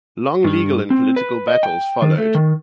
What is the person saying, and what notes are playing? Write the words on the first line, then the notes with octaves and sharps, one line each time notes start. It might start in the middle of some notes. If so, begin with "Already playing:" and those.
Long legal and political battles followed.
G2
C4
B4
D#5
G5
D#3
A3
D#3